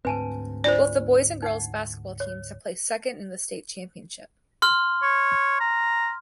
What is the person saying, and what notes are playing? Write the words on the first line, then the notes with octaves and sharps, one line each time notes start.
Both the boys' and girls' basketball teams have placed second in the state championship.
D2 G#2 C4 B4 G#5 A5
D4 F4 C5 D5
D#4 F#5
C#5
C6 F6
C#5
A#5